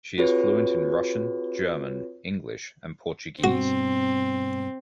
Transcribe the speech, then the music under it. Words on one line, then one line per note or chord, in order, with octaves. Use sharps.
She is fluent in Russian, German, English, and Portuguese.
C4 F4 F#4 G#4 B4 C#5
G2 B2 C4 F#4